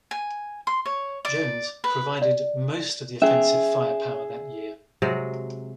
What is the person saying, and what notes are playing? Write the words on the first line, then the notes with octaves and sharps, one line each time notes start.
Jones provided most of the offensive firepower that year.
G#5
C6
C#5
D5
B4
D5
C#4 G#4 E5
C3 F#3 G#3